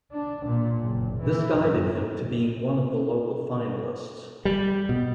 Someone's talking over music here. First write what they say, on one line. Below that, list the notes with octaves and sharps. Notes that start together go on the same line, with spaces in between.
This guided him to being one of the local finalists.
D4
A#2
F#1
E3
F#2
G3
B2